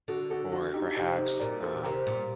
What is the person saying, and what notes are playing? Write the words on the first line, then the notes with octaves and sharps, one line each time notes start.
or perhaps, um
D3 F#4 A4
F#4 A4
D4 F#4
D#4 G4
C3 D#4 G4
D#4 G4
A#2 A#4 D5
A4 C5
C3 G4 A#4
A#2